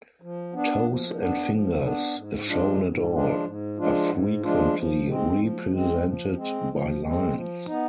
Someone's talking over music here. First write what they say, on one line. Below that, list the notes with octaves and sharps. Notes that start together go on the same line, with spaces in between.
Toes and fingers, if shown at all, are frequently represented by lines.
F3
B3 D4
F3
B3 D4
F3
B3 D4
G#2
F3 G#3 D4 F4
G#2
F3 G#3 D4 F4
G#2
F3 G#3 D4 F4
G#2
F3 G#3 D4 F4
F3
G#3 C4
F3
G#3 C4
F3
G#3 C4
F3
G#3 C4
F3
B3 D#4